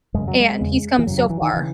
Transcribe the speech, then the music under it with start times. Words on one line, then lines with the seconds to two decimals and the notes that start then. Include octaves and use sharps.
And, he's come so far.
0.14 F#2 C#3 G#3
0.28 F#3
0.40 G#3
0.60 E2 C#3
0.99 E3
1.06 F#2 F#3
1.11 C#3
1.18 F#3
1.30 E3
1.42 D#3
1.54 C#3 E3